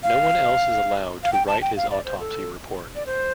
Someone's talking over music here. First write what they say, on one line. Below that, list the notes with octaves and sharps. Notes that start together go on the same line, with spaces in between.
No one else is allowed to write his autopsy report.
F5
F5
G5
A5
G5
F5
D5
C5
A4
D5
C5